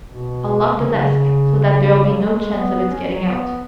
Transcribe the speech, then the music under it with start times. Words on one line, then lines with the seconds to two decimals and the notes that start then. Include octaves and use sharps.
I'll lock the desk, so that there'll be no chance of its getting out.
0.06 B2
0.77 C#3
0.85 D#3
0.93 C#3
2.10 F#3
2.18 G#3
2.54 B3
2.89 C#4
3.12 F#3
3.24 B3